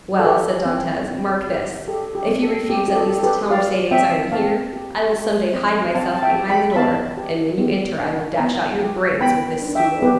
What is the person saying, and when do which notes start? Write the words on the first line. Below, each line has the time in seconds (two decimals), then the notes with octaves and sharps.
"Well," said Dantes, "mark this; if you refuse at least to tell Mercedes I am here, I will some day hide myself behind the door, and when you enter I will dash out your brains with this stool."
0.19 A4
0.24 G4 B4
0.65 C4
1.06 C4
1.47 G4
1.88 G4 A4
2.15 G4
2.28 C4
2.42 A4
2.68 C4 G4
2.88 G4
2.96 A4
3.10 G4
3.19 A4
3.23 G4 B4
3.50 G4 D5 F5
3.91 C4 E5 G5
4.32 C4 F5 A5
4.73 G4
5.13 G4
5.54 C4
5.95 C4 F5 A5
6.16 A5
6.22 E5 G5
6.36 G4
6.49 G5 B5
6.72 B5
6.76 B3 F5 A5
7.17 G4
7.58 B3
7.99 D4
8.40 B3
8.80 G4
9.21 B3 G5 B5
9.62 D4
9.75 E5 G5
10.02 B3 G4 B4